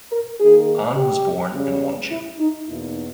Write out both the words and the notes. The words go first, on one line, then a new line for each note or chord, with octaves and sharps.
Ahn was born in Wonju.
A#4
D#3 A#3 D#4 G#4
G4
C#3 G3 C#4
E4
D#4
E2 B2 A#3 D#4 E4